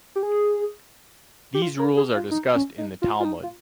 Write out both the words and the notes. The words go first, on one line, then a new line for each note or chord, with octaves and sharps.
These rules are discussed in the Talmud.
G4
G#4
G4
F4
A#4
G#4
F4
D#4
C#4
D#4
F4
F4
D#4
F4